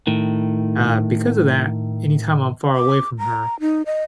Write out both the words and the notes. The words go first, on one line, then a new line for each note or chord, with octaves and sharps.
uh, because of that, any time I'm far away from her,
A2 D#3
D6
A#5
D#4
D#5